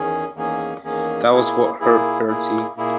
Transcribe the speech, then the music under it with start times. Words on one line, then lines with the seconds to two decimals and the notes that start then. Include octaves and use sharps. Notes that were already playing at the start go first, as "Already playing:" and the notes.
That was what hurt, Bertie.
Already playing: E2 D#3 C#4 G#4
0.34 E2 D#3 A#3 C#4 G#4
0.83 E2 D#3 A#3 C#4 G#4
1.31 A#2 A#3 E4 G#4
1.80 A#2 A#3 E4 G#4
2.28 A#2 A#3 E4 G#4
2.77 A#2 A#3 E4 G#4